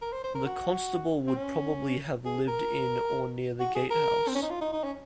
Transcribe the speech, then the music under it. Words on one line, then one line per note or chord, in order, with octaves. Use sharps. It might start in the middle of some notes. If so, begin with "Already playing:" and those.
The constable would probably have lived in or near the gatehouse.
A#4
C5
C5
A#4
F#4
C4
C#4
G#4
A#4
F#4
G#4
A#4
C4
C#4
D#4
F4
D#4
D#4
C#4